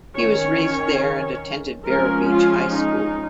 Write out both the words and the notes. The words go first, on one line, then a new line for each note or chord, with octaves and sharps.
He was raised there and attended Vero Beach High School.
D#3 C#4 C#5
F3 G#3 C#4 A#4
F4
D#4